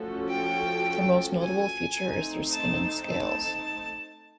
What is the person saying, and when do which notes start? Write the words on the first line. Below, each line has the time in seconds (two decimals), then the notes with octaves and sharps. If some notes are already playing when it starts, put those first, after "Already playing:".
Their most notable feature is their skin and scales.
Already playing: F3 A3 C#4 F#4 A4
0.30 G5
1.41 G#5
1.97 A3 C4 D#4
2.52 A5
3.09 A5